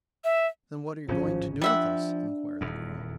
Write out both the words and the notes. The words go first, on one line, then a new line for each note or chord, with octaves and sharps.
"Then what are you going to do with us?" inquired the girl.
E5
D1 G#1 F3 C#4
F3 G3 D4 E5 F#5
D#1 E2